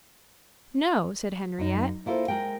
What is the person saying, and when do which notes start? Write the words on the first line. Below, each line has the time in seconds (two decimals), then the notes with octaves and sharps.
"No," said Henriette.
1.58 F#2 D#4
2.06 A#3 E4 F4 A4 C5
2.28 G#3 G#4 A#4 G5